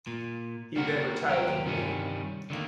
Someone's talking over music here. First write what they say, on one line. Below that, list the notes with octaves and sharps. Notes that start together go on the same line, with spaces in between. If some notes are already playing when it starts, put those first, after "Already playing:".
He then retired from the game.
A#2
G3 A#3 F#4 A#4
D#2 F#3 G4 A#4
G2 C3 D#3 G3 C#4
D3 D#3 A3 A#3